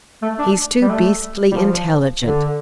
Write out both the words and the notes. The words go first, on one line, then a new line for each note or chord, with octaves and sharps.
He's too beastly intelligent.
A3
D4
G3
A3
G3
F3
D3